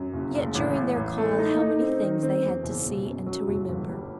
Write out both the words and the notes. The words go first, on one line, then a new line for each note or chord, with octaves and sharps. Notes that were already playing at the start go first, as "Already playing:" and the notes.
Yet during their call how many things they had to see and to remember!
Already playing: F#2
F#1
F#1
A1
A1
A1
A3
D#4
D#4
C4
D#3
C4
E2
F#1
B2
F#2
F#3
F#1
G1
G3